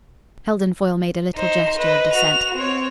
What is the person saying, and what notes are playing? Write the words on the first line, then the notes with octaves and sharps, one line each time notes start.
Heldon Foyle made a little gesture of dissent.
D#4 C5
B4 D#5
F#4 F7
C4 C#5